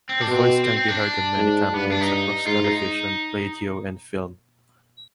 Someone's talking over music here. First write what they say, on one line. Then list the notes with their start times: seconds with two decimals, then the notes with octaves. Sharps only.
Her voice can be heard on many campaigns across television, radio and film.
0.09 C4
0.21 D4
0.28 B2 C4
0.64 C4
0.77 C4
0.88 D4
1.36 G#2
1.74 G2 B3
1.92 D4
2.01 D#4
2.47 G#2 F4
2.64 D#4